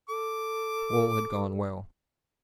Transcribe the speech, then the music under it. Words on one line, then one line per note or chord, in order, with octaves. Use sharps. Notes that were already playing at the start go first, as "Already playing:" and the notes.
All had gone well.
A4 D6